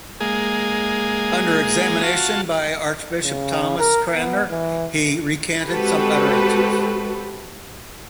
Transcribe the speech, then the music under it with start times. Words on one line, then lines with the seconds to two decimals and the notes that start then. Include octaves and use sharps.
Under examination by Archbishop Thomas Cranmer he recanted some utterances.
0.20 G#3 A#3 G#4
2.03 F4 F#4 A5
3.24 C#3
3.79 A#4
4.14 B3
4.50 E3
5.66 G#3 C4 F#4 G4 A4 B4